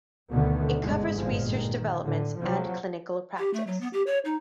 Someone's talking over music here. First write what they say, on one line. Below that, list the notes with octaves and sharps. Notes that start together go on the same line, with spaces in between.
It covers research developments and clinical practice.
D2 B2 D3 D#3 A3 B3
G1 G#2 B2 G#3
G1 A#2 F3 G#3
D#3
A2 D3
C3 F3 F#3
G4
A3
F#3
B3
G4
C#5
D#4